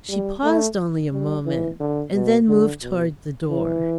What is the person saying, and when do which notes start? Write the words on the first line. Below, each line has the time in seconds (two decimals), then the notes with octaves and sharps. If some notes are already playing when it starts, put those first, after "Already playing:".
She paused only a moment, and then moved toward the door.
0.09 G3
0.44 A3
1.12 G3
1.46 E3
1.80 D3
2.13 B2
2.48 D3
2.83 B2
3.50 E3